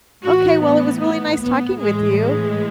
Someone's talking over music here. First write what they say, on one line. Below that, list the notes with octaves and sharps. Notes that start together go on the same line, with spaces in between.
Okay, well, it was really nice talking with you.
A2 E3 F#4
B3
B3
B3
A2 E3 G#3
G#3